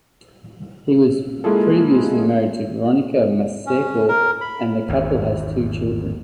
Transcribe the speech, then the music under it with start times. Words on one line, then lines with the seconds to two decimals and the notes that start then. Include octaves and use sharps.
He was previously married to Veronica Maseko and the couple has two children.
1.44 G#3 A#3 E4 F4 G#4 A4
3.66 C#4
4.08 A#4
4.41 B5
4.89 G#1 E2